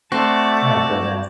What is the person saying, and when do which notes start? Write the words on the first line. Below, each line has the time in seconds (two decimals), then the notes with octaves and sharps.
Oh goodness.
0.12 A3 C4 F#4 D5 A5